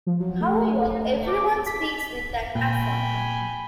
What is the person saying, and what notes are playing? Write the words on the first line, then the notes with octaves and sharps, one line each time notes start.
However, everyone speaks with an accent.
F3
F#3
A3
D6
B6
A#2 G5 G#5 B5